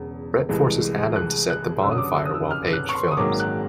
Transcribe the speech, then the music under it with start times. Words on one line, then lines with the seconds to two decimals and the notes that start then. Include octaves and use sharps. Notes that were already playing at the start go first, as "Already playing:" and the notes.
Brett forces Adam to set the bonfire while Paige films.
Already playing: E1 E2 C#3
0.49 C2 C3 E3 G#3
1.16 F#6
1.50 F#6
1.83 F#1 F#2 D3 E6
1.91 D#6
1.98 D6
2.05 D#6
2.17 E6
2.26 D#6
2.34 E6
2.51 F6
2.73 F#6
2.89 C#6
2.95 C6
3.11 D#6
3.17 G#1 G#2 D#3 F#3 A#3 D6
3.40 F#6